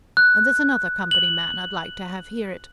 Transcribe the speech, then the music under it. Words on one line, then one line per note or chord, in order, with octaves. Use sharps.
And there's another Company man I'd like to have hear it.
F#6
F#7